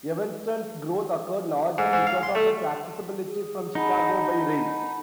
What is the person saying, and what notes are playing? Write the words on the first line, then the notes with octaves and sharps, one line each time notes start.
Evanston's growth occurred largely because of its accessibility from Chicago by rail.
G#2
G#2
F5
C6
A3
G#4
D#4 F#5 A5 B5